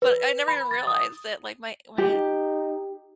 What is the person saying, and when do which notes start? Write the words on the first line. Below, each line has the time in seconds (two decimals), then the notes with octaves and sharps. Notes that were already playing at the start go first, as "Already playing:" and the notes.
But I never even realized that, like my my
0.02 B4
0.48 B5
0.71 A6
0.87 D#6
1.98 D#4 G4